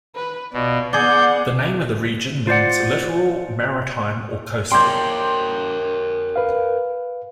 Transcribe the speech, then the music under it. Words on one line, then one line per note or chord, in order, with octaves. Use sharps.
The name of the region means Littoral, Maritime or Coastal.
B4
B2 F4 D5
B3 G#4 D5 F#5 G6
F4 C5 D5 F#5
A#4 C#5 G5 C6 D6 G6
B4 F5